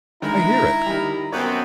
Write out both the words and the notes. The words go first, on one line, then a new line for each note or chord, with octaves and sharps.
I hear it.
D3 D#3 G#3 E4 A#5
D#3 G3
F#2 B3 C4 C#5